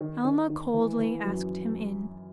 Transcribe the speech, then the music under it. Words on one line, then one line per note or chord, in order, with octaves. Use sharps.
Alma coldly asked him in.
D#3
D#3
D#3
E3
E3
F#2